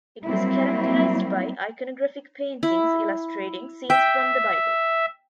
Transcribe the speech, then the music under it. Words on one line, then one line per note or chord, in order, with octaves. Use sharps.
It was characterised by iconographic paintings illustrating scenes from the bible.
F#3 G3 A#3 C4 E4
E4
E5 G5